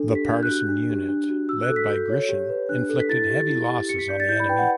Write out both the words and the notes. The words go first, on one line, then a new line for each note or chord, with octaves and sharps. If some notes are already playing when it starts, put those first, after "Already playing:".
The partisan unit led by Grishin inflicted heavy losses on the enemy.
Already playing: D4 A4
G4
B6
D4 G6
F#6
F#4
F#6
D4
G4
D4
F#4
F#4 E6
F#6
A4
B6
F#4 G6
C#5
G4
B4
D4 F#6
A4
B6
E4 A6
G4
E4
G4
G4 C#7
B6
D5 G6
A6
E4 G6
B5
B4 G5
F#5